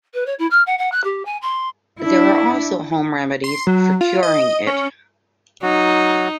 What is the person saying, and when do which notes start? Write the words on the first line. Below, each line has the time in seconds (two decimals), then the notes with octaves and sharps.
There are also home remedies for "curing" it.
0.14 B4
0.26 C#5
0.39 E4
0.51 F6
0.67 F#5
0.78 F#5
0.92 F#6
1.04 G4
1.25 G#5
1.42 C6
2.02 D4 E4
3.44 C6
3.67 F#3
4.01 F4
4.23 D#5
4.67 C#4
5.63 F#3 D#4 F#4